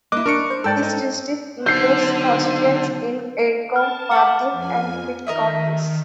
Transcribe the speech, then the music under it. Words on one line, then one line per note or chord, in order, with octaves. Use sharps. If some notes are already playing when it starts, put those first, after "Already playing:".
His district includes constituents in Edgecombe, Martin, and Pitt counties.
A#3 E4 D#5 D6 F#6
D4 A#4 C#6 C#7
C5
G#2 A4 D5 G5 A5 E6
D#4
B1 D3 C5 G6 C7
A5 F6
F#5 B5 D6
F2 G#5
D#3 A#4 D#5 E5